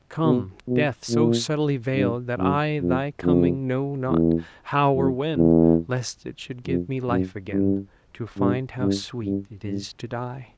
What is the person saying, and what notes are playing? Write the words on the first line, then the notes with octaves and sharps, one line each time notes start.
Come Death, so subtly veiled that I Thy coming know not, how or when, Lest it should give me life again To find how sweet it is to die.
B2
B2
A#2
G2
F#2
F2
F2
E2
F2
E2
F2
F#2
G2
G2
G2
G2
G2